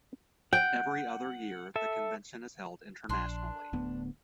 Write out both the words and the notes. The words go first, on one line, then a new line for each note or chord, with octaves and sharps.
Every other year, the convention is held internationally.
F#5 G5
A4 E5
A#1 D4 C6
D1 D2 B3